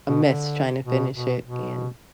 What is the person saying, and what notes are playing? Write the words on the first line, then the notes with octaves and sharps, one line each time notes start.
a mess trying to finish it, and
B2
D3
B2
B2
B2